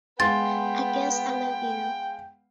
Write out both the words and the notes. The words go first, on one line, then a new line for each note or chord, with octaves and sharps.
I guess I love you.
G#3 B3 F5 G5 C6 A6